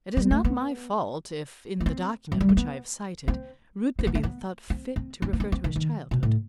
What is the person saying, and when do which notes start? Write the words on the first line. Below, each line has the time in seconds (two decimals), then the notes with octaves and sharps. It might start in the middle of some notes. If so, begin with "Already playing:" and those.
It is not my fault if, in the document which I have cited, Rouletabille thought fit to refer to his childhood.
0.17 G3
0.31 A3
0.45 B3
1.80 B3
1.86 C4
2.32 F#3
2.41 G3
2.49 A3
2.57 B3
3.28 C4
3.99 C4
4.07 B3
4.15 A3
4.23 B3
4.70 C4
4.96 C4
5.22 C4
5.33 B3
5.40 C4
5.52 C4
5.64 D#3
5.76 D#3
6.11 B2
6.23 A2